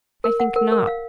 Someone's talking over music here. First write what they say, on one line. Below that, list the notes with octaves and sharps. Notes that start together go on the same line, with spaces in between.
I think not.
A#4
F#5
A#4
A#4
F5